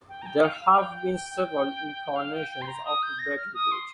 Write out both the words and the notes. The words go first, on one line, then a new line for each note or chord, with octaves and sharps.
There have been several incarnations of a Berkley Bridge.
G5
A#5
G5
F5
F5
F5
G5
G5
G5
G5
F5
G5
G5
C6
A#5
D#6
G6
A#6
F6
D#6
C6